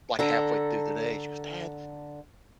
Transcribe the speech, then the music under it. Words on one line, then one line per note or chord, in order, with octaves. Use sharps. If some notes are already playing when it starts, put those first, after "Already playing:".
like, halfway through the day, she goes, "Dad,
D3 A4 A#5